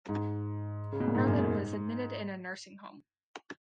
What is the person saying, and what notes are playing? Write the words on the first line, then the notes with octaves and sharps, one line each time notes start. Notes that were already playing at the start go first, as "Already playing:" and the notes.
Charlotte was admitted in a nursing home.
G#2
C#3
B2
A#2
G#2
F#2
G#2